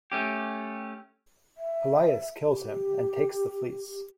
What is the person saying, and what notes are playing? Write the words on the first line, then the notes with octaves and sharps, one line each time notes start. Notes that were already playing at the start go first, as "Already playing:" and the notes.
Pelias kills him and takes the Fleece.
A3 C#4 G4
E5
G4